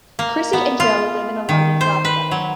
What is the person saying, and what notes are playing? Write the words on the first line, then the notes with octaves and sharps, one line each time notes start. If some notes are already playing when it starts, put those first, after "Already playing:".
Chrissy and Jo live in a London flat together.
A#3
B3
F4
D#3
C5
B4
F#3